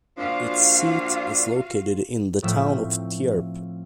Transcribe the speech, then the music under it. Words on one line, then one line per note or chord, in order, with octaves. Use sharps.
Its seat is located in the town of Tierp.
A#2 F3 D4 F4 F#4 F5
A2 F3 A3 C4 C#4 E5